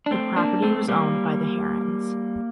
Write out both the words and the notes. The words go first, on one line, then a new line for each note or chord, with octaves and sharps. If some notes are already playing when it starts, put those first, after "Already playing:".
The property was owned by the Herons.
D4
A3 C4
A#3 D4
A3 C4
G3 A#3